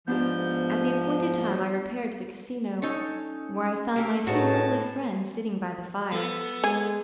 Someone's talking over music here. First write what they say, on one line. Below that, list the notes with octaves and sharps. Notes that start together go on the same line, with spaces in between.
At the appointed time I repaired to the casino, where I found my two lovely friends sitting by the fire.
G#2 F3 B3 D4 G4 G6
C#4 D#4 A4 C#5
A#3 G4 A4
A2 D#4 F#4 G#4 B4 C#5 A5
B3 A4
G#3 G#4